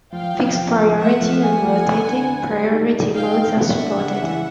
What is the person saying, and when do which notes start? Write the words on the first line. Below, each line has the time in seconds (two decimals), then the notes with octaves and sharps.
Fixed priority and rotating priority modes are supported.
0.13 F3 F5 G5
0.35 F3
0.56 F3
0.78 F3
0.99 A3 E5 F#5
1.21 F3
1.42 A3 F#5 G#5
1.64 F3
1.85 B3
2.07 D3
2.28 B3
2.50 G3
2.71 D#4
2.93 G3
3.14 D#4 F5 G5
3.36 B3
3.58 A3 E5 F#5
3.79 D4
4.01 C#3
4.22 E3